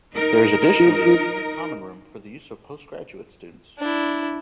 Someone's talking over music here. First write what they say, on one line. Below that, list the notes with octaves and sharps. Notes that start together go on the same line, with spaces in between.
There is additionally a Senior Common Room for the use of postgraduate students.
D#4 A#4
D4 E4